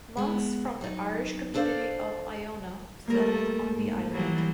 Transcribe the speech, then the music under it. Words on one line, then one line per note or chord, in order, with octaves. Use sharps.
Monks from the Irish community of Iona settled on the island.
G#3 B3
F#3 D#4
D4 A4 C5 D5 F5
G3 A3 A#3 A#4
G#2
E3 F#3 G3